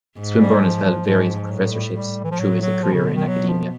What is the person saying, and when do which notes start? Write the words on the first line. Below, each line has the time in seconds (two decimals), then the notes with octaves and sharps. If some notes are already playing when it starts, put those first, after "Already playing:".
Swinburne has held various professorships through his career in academia.
0.18 G#2
0.40 G3
0.62 F3
0.84 F3
1.06 G#2 F3
1.29 F3
1.40 F3
1.50 A2 F#3
1.72 G3
1.95 G3
2.24 E3
2.31 F3
2.38 A2 F#3
2.61 F#3
2.83 B2 F3
2.94 C#3
3.06 D3
3.16 D#3
3.27 F#3
3.49 F3